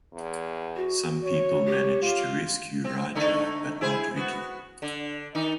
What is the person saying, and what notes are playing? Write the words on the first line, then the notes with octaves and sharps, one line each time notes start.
Some people manage to rescue Raja but not Vicky.
E2
F#4
C#5
G4
F4
C4
D3 A3 D#4
E4 G#4 C5
B3 F#4
D3
D#3 D#4